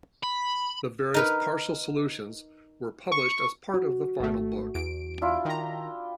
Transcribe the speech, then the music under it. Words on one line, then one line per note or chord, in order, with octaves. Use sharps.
The various partial solutions were published as part of the final book.
B5
D#4 A#4 B4
C#6
F#4
G#1 A3
E2 D7
D4 E4 F4
D#3 G5 A#5